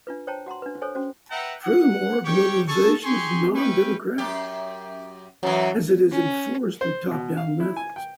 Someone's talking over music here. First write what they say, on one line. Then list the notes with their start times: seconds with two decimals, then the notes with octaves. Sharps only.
Furthermore, globalization is non-democratic, as it is enforced through top-down methods.
0.07 D4 F4 B4
0.27 C5 C#5 G5 A5 A#5
0.46 F#4 F#5 A#5 C6
0.62 D4 B4
0.82 A4 C5 C#5 G#5
0.95 C#4 F#4 C5
1.31 B4 E5 F#5 G5 A#5
1.63 F#5
2.24 G3 G4 C#5 G5 C#6
2.68 D4 G#4 A4 A5 C#6
3.03 G4 G#4 G#5 C6 C#6
3.54 C#4 E4 B4 G5 C#6
4.18 F#2 G4
5.43 F#2 E3 F#3
6.11 C#4
6.81 C5
7.11 B2
7.37 F5
7.60 E4
7.76 G#5
7.96 G5